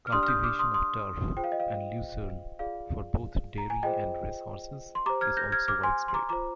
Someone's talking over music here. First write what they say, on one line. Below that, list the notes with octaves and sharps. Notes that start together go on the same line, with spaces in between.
Cultivation of turf and lucerne for both dairy and racehorses is also widespread.
F6
D4 G4 D5 C6 D#6
F6
D#6 G6
D6 F6
C6 D#6
C6 D#6
F4 G#4 C5 G5
F5
D#5
F5
F4 G#4 D5 F5
A#5
G#5
F4 G#4 C5 D#5 G5
C6
G4 C5 A#5 D6
F6 G#6
G6 A#6
F6 G#6
D6 F6
G#5 C6
C6
A#5 D6
F4 C5 A#5 D6